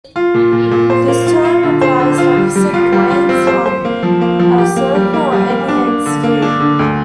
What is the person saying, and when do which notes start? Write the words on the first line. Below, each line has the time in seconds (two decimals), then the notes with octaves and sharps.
This term applies to opposite points on a circle or any n-sphere.
0.16 F4
0.34 A#2
0.53 A#2
0.71 A#2
0.90 C5
1.08 A#3
1.27 F4
1.45 F4
1.63 D3
1.81 C5
2.00 D3
2.18 F4
2.37 G3
2.56 G3
2.74 F4
2.92 G3
3.10 F4
3.29 C4
3.47 C5
3.66 C5
3.85 A#3
4.03 F3
4.21 A#3
4.39 F3
4.58 G4
4.76 A#3
4.95 G3
5.13 A#3
5.32 G3
5.50 A#3
5.68 D4
5.87 A#3
6.06 D3
6.23 A#3
6.42 D4
6.60 D3
6.79 D2